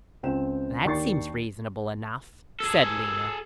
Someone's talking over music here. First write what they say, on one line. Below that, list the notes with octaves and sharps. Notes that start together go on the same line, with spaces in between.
"That seems reasonable enough," said Lena.
C#2 C4 G5 E7
D#2 D4 G5 C#6 A6 C7
G#4 A4